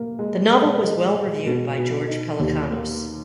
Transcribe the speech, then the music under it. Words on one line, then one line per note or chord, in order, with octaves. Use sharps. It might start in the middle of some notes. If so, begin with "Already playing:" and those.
The novel was well-reviewed by George Pelecanos.
Already playing: A#3
G#3
G#3
G#3
G#3
B2
B2
D#4
D#2
A#3